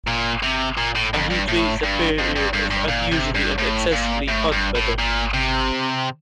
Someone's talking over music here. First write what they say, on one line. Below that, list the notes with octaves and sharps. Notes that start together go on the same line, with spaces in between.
A heat wave is a period of unusually and excessively hot weather.
A#2
C3
A#2
A2
F2
G2
A2
G2
F2
G2
G2
G2
A#2
C3
G2
A2
A#2
A2
G2
A2
A#2
C3